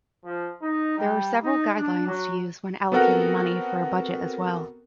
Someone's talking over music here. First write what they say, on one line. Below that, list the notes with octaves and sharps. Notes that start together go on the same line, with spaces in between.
There are several guidelines to use when allocating money for a budget as well.
F3
D#4
G3
D#4
D4
F#3
B3 C4 F#4 A4 A#4 F#5